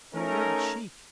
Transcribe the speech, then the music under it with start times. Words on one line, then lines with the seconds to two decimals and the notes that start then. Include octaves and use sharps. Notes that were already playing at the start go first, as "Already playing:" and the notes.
And the red cheeks!
0.14 A3 C#4 D#4 A#4